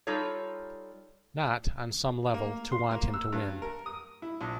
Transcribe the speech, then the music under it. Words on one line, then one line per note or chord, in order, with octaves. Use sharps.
Not, on some level, to want him to win.
G3 D#4 F4 A4 C#5
A#3
C6
A#3
E6
G2
A#4
D#6
E4
A#1